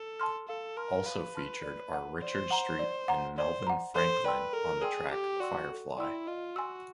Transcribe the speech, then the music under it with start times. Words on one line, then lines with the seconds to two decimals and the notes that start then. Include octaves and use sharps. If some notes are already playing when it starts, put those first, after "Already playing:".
Also featured are Richard Street and Melvin Franklin on the track "Firefly".
Already playing: A4
0.20 A5 C6 F6
0.48 A4 F5
0.77 A#4 A5 C6 F6
1.06 B4 F5
1.35 A5 C6 F6
1.63 D5
1.93 F#5 A#5
2.22 C5 D5
2.51 F#5 A#5
2.79 D5
3.08 F#5 A#5
3.37 C5 D5
3.67 F#5 A#5
3.95 A4 C5
4.25 B4 D5 G5 C6 E6
4.53 A4 A#4
4.82 G#4 D5 G5 C6 E6
5.11 G4 A4
5.40 F#4 D5 G5 C6 E6
5.70 A4
5.98 E4 D5 G5 C6 E6
6.27 F4 D#5
6.56 F#4 G#5 C6 E6